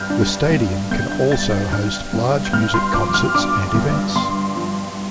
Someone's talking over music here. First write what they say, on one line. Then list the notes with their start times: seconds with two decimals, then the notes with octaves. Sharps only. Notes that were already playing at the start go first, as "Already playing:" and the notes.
The stadium can also host large music concerts and events.
Already playing: G2 G3 F6 G6
0.10 D4
0.51 G2
0.91 G2 G6
1.12 G6
1.32 G3 A6
1.52 G6
1.72 D4 F6
2.13 G2
2.45 G6
2.53 G2 F6
2.74 C6
2.94 F3 D6
3.14 F6
3.35 D4 D6
3.75 G2
4.16 G2 C6
4.56 F3